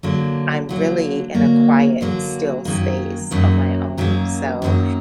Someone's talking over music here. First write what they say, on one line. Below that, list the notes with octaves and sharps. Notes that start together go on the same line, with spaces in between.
I'm really in a quiet, still space on my own, so
D3 F#3 A#3
D3 F#3 A#3
D3 F#3 A#3
D3 F#3 A#3
F#2 D#3 F#3 A#3
F#2 D#3 F#3 A#3
F#2 D#3 F#3 A#3
F#2 D#3 F#3 A#3